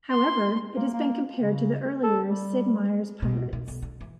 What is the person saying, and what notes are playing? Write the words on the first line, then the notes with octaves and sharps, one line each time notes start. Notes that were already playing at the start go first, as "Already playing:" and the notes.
However, it has been compared to the earlier Sid Meier's Pirates!
C6
A#3
A#3
C#3
A4
G3
B2
D#3
B1
D3
E3